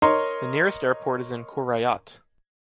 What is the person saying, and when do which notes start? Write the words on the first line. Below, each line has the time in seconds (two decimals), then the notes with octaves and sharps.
The nearest airport is in Qurayyat.
0.02 A#4 C#5 D#5 A#5 C6